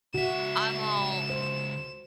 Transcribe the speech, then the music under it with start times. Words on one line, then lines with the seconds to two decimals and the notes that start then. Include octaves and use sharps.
I'm all
0.14 C#2 F#4 E5 E7
1.30 C5